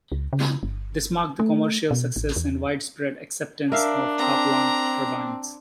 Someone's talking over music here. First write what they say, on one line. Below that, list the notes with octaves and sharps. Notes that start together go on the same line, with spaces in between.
This marked the commercial success and widespread acceptance of Kaplan turbines.
C#2
C#3
G1
A3
B2
A1
E2
D4 A#4 E5 F5
C4 A#5